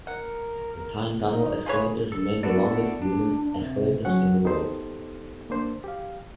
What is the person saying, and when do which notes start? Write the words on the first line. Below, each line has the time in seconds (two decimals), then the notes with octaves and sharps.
The Tyne Tunnel escalators remain the longest wooden escalators in the world.
0.07 A#4 F#5
1.28 D#4
1.66 F4 G#4 B4 C#5
2.12 A4
2.43 B3 D4 E4 F#4 A4 D5
3.02 D4
3.60 C3
4.05 F#3 C#4 F#5
4.44 B3 D#4 G4 A4 C5
5.50 A#3 D4 C5
5.84 G4 F5